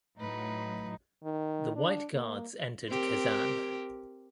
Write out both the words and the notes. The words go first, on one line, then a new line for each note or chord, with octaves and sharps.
The White Guards entered Kazan.
A2 F#3 D#4 B4
D#3
D4
A#3
C4 G4 A#4